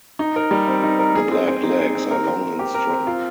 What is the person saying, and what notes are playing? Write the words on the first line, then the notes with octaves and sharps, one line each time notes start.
The black legs are long and strong.
D#4
A#4
G3
C4
D#4
A#4
G#4
C4
C4
D#4
G#4
C4
A#4
C4
C4
G4
A#4
C4
F4